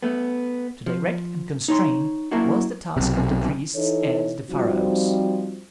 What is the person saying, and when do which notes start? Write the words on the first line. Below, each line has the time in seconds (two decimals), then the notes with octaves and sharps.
To direct and constrain was the task of the priests and the pharaohs.
0.03 A3 B3
0.86 F3
1.68 D#4 C#5 C6
2.31 F#2 F#3 A#3 D4 E4 F#4
2.97 B1 C3
3.75 E3 D#4 A4 C#5
4.50 F3 G3 C4 D#4 F4 F#4